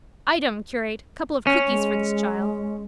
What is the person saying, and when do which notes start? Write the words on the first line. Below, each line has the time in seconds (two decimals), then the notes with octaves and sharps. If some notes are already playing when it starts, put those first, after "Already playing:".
Item, curate, couple of cookies for this child.
1.47 C#4
1.67 G#3